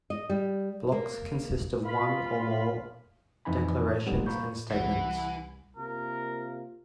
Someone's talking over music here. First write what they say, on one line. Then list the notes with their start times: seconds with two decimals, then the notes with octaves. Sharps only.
Blocks consist of one or more declarations and statements.
0.10 D#5
0.29 G3
0.92 A#3
1.85 F4 B5
3.45 F2 E3 D#4 G#5 B5
4.07 D#3 F3 G3 G#3 B3
4.26 A#3 A#4 B5 C#6 G6
4.70 C2 E3 F#5
5.76 C3 A#3 F4 A#4